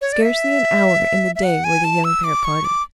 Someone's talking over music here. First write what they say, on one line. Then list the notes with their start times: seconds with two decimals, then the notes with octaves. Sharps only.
Scarcely an hour in the day were the young pair parted.
0.01 C#5
0.13 D5
0.23 E5
1.36 E5
1.44 F#5
1.64 G#5
1.84 A5
2.04 E6
2.24 D6
2.44 C#6
2.65 D6